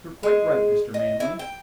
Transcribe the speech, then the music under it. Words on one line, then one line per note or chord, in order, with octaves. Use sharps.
You're quite right, Mr. Manley.
G#3
D#5
E4
G5